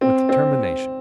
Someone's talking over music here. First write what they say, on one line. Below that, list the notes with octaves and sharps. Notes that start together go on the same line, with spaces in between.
'With determination.
C4
C4